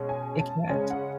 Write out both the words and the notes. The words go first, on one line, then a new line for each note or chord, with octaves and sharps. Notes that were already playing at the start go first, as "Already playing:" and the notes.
It can't.
Already playing: B2 G#3 C#4
G#5
A5
C#3 G#3 C#4 G#5
F#5